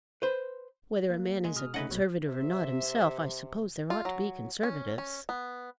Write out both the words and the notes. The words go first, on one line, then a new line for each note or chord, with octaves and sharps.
Whether a man is a Conservative or not himself, I suppose there ought to be Conservatives.
B4 C5
A#3
G#3
B2 D#6 F6
A3 C#4 D#4 B4 D#5 F#5
A#1 B2 F#3
C3 E5
F4
F#3
C#4
C#4
B3